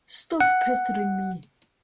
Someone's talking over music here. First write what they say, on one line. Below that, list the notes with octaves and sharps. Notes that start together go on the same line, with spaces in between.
Stop pestering me!
F#5